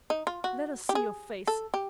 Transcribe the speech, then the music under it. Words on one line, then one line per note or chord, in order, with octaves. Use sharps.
Let us see your face!
D#4
F4
F#4
G4
G#4
A4
G4